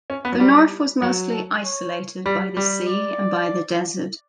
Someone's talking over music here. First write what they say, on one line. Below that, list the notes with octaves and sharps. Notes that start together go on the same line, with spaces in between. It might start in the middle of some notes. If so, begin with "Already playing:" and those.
The north was mostly isolated by the sea and by the desert.
C#4
B3
F#3
G3
F#3 C#5
A4
C#5
G3
G3
D5